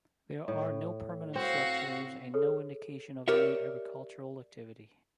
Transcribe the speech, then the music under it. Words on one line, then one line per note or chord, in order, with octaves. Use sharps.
There are no permanent structures and no indication of any agricultural activity.
A2
C4 F#4 F5
G#4 A4 B4 C#5
G4 A#4 C#5 D5 E5